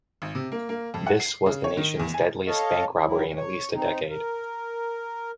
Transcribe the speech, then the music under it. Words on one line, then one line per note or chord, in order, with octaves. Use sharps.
This was the nation's deadliest bank robbery in at least a decade.
G#1
C3
A#3
A#3
F2
F#5
C7
C#3
C#5
D#3
E2
G#5
A4 C#5 D#5 F5 A5
D#3 F#3 E4
C#5
C4 D#4
A#4